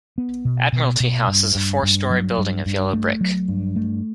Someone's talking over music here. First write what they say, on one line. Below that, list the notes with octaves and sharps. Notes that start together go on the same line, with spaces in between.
Admiralty House is a four-storey building of yellow brick.
B3
B2
B2
B2
G2
G2
G2
F#3
G2
G2
A3
F#3
G2
A3